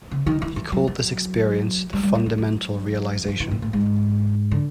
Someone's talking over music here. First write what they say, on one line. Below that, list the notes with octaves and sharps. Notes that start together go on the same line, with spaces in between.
He called this experience the "Fundamental Realization".
C#3
D#3
E3
E3
F#3
F#3
G3
G3
F#3
F3
F#3
F#3
F3
E3
A#2
A2
G#2
D3